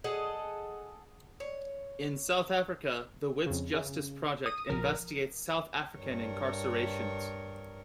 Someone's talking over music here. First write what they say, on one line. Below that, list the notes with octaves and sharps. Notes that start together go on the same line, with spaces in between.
In South Africa, the Wits Justice Project investigates South African incarcerations.
G#4 A4 D#5 F#5
C#5
F2 C#3
C#3
D#6 D#7
A#1 F3 A#4
G2 A#4 C#5